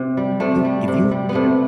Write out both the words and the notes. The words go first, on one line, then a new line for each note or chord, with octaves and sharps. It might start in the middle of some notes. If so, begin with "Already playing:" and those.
you if you, you know,
Already playing: C3
G3
C3 A3
G3
C3
G3
B3
C3 A3